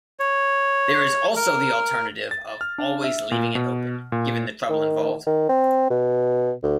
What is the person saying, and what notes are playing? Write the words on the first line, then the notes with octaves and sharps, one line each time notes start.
There is also the alternative of always leaving it open, given the trouble involved.
C#5
A#4
A6
F6
D4
E5
A#2
B2
A#2
D#3
D#3
C4
B2
D2